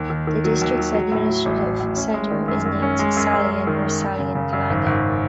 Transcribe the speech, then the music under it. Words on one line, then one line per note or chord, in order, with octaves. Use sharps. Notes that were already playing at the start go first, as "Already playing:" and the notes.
The district's administrative center is named Salyan or "Salyan Khalanga".
Already playing: D#2
D#3
D#3
F#3
D#2
F#3
F#3
A2
F#3
A1
A2
A2
C#4
G#3
D#3
F#2
F#2
C#4
G#3
F#2
F#2
F#2
D#3
F#2
F#2
C#3
C#3
F#2
G#1
G#1